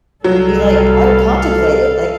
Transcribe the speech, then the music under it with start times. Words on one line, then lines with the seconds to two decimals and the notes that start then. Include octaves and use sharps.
be like I would contemplate it, like,
0.24 C2 F#3 G3 A4 F5